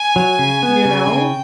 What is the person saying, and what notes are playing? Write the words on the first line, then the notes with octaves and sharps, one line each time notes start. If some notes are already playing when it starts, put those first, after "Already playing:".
You know?
Already playing: G#5
F#3
C#3
B3
C#3
C#3 G5